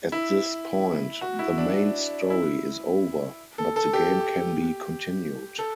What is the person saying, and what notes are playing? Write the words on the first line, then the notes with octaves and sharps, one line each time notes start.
At this point, the main story is over, but the game can be continued.
E4
F#4
E4
D4
E4
A4
A4
G4
A4